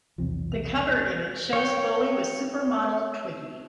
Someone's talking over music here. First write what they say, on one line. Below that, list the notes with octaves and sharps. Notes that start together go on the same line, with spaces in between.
The cover image shows Bowie with supermodel Twiggy.
B1 E2 C3 F3
C#5 G5